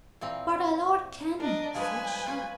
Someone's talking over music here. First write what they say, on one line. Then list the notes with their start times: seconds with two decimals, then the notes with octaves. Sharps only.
"But OUR LORD can!" said she.
0.21 A#2 E3 C4
1.40 D4 A#4 D#5
1.75 F3 G3 G#3 B4 G#5
2.26 C#4 F4